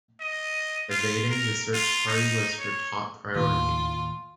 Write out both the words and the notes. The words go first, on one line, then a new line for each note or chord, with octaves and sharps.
Evading the search party was her top priority.
D#5
F4
A#4
F4
D#4
C#5
D#2 A2 F4